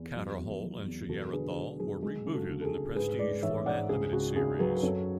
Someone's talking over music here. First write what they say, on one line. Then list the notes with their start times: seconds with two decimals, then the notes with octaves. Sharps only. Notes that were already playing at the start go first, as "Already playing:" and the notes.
Katar Hol and Shayera Thal were rebooted in the prestige format limited series.
Already playing: E2
0.16 F#3
0.39 E2
0.63 F#3
0.86 E2
1.09 E1 F#4 A4
1.33 D3 G#4 B4
1.55 E1
1.80 F#3 G#4
2.02 G#3 G#4
2.26 C#3
2.34 F#4 A4
2.49 D2
2.61 A4
2.65 G#4
2.73 D2
2.96 G#2 G#4 B4
3.19 G#3 B4 D5
3.42 A1 C#5 E5
3.66 G#2 D5 F#5
3.89 C#2 G#4
4.13 C#2 F#4
4.36 C#2 G#4
4.59 F#3 G#4 B4
4.76 B4
4.82 F#2 A4 C#5